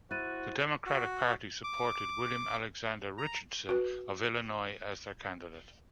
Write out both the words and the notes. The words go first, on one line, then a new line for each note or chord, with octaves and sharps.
The Democratic Party supported William Alexander Richardson of Illinois as their candidate.
E4 F#4 C5 F#6 A6 D#7
F#4
D6
A#5
F#4 B4